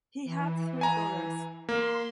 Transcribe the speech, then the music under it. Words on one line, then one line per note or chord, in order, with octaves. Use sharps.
He had three daughters.
E3
G#5 A#5
A#3 C6